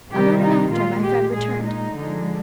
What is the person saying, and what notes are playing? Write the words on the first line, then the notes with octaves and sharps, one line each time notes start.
A moment after my friend returned.
C3 D#3 G3 G4
D#4
A#2 G#3 F4
G4
A#2 G#3 G#4
D#4
D3 F3 G#3